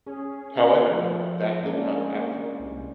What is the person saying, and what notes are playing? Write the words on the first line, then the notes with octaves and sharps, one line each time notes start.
However, that did not happen.
C#4 G#4
F3 A3 C4
G#3 A#3 C#4 D4
C2